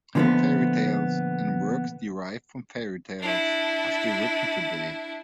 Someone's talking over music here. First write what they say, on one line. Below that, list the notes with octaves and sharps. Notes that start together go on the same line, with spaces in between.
Fairy tales, and works derived from fairy tales, are still written today.
A#2 D3 F3 G3 A3 B3
D4 E4